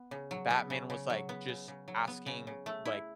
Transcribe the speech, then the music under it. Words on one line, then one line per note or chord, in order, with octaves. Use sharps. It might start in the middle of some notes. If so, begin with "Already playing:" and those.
Batman was, like, just asking, like
Already playing: B3
C#3
F#3
B3
C#3
C#3
F#3
B3
C#3
C#3
F#3
B3
C#3
C#3
A3
E4